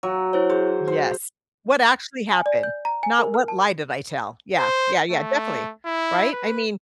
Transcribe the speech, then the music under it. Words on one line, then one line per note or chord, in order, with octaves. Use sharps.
Yes. "What actually happened?" Not, "What lie did I tell?" Yeah. Yeah, yeah. Definitely. Right? I mean
F#3
E4 C5 C#5
G#4 C5
C5
G#5
D5
G6
A#5
G#5
A#4
F6
A5
C5
A3
E4
B4